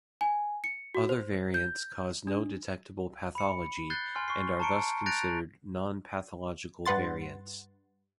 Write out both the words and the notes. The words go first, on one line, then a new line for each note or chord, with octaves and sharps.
Other variants cause no detectable pathology, and are thus considered non-pathological variants.
G#5
C#7
F#4
C5
G6
D4
B5 C#7
F#6 G6 A6 C7 G7
G#5 C6 F6
C#6 C7
A5 A#5 C#6 C#7 D7
F#6 G6 A6 A#6 D7 F7
G2 B4 F#5 C6 A6